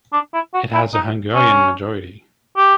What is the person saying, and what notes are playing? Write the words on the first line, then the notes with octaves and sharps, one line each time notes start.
It has a Hungarian majority.
D4
E4
F#4
E4
D#4
C#4
G4